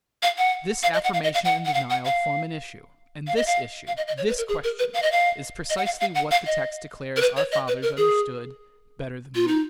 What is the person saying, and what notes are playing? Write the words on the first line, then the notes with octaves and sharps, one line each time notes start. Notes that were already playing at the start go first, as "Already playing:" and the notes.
This affirmation and denial form an issue, and this issue--this question is precisely what the text declares our fathers understood "better than we."
F5
F#5
F5
D#5
F#5
F5
D#5
F5
F#5
F#5
F5
F#5
F5
F5
D#5
F5
F5
D#5
D#5
C#5
B4
A#4
G#4
A#4
B4
F5
D#5
F5
D#5
F#5
F5
F5
F#5
F5
D#5
A#4
B4
C#5
D#5
B4
A#4
G#4
F4
D#4